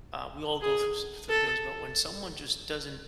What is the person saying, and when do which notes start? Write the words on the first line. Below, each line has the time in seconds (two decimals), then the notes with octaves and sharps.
Uh, we all go through s through things, but when someone just doesn't
0.61 G#4
1.29 A4